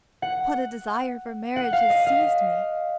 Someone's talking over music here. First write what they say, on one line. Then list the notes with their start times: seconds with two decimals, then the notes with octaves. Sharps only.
What a desire for marriage has seized me!
0.22 F#5
1.56 F#5
1.73 F5
1.90 D#5
2.06 F5